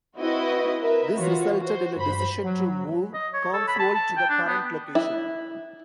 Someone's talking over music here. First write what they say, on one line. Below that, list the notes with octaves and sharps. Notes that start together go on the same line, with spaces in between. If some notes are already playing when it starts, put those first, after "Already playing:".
This resulted in a decision to move Kongsvold to the current location.
C4 E4 F#4 B4 D#5
A#4 B4 E5
E3 F4 F#4 C#5
F#4 C5
G2 C5 B5
F#3
D#5
C#5
A4
B5
A5
A5
G5
D4
B3
E4